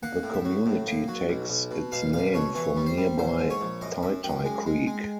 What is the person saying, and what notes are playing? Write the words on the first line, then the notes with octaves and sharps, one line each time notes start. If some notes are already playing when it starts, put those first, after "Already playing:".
The community takes its name from nearby Ty Ty Creek.
A#3 F#5
A2
E5
F#3
A2
A#3
F#3
B1
B1
B2
B1 F5
B1 F5
B2 C#5
E3 C#5
G3
C5
G3
A#1 C5
G#2
C#5
A#1
F#2 D#5
F#2 E5
F#2 G5
G#3
G#3
G#3